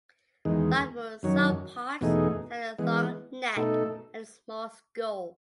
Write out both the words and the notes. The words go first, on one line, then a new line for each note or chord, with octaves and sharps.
Like most sauropods, it had a long neck and a small skull.
E2 D#3 G#3
F#2 D#3 F#3 C#4
E2 B2 A3 D#4 G#4
E3 G#3 B3
B2 A3 D#4 A4